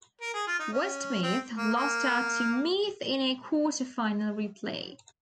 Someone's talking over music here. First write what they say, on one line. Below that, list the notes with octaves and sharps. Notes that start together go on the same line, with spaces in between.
Westmeath lost out to Meath in a quarter-final replay.
A#4
G#4
F4
D#4
C#4
C4
A#3
A#3